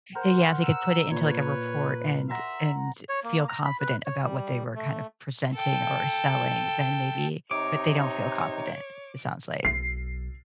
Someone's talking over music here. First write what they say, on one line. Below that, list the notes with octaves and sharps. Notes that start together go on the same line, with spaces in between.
Yeah, if they could put it into, like, a report and and feel confident about what they were kind of presenting or or selling, then maybe but they don't feel confident, it sounds like.
A#4 C5 F#5
E6
A#2 B4 C#5
E5 F#5 A#5 C6
C#5
A#3
A#5
B5
B4
C#5
G3
A3
A4 G5
C3 D#4 C#5 D6
B1 C7